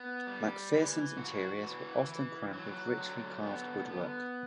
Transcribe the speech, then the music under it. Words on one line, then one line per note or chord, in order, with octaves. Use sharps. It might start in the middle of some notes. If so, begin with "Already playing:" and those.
MacPherson's interiors were often crammed with richly carved woodwork.
Already playing: B3
G3
E3
F#4
E3
E3
F#3
D3
B3
B3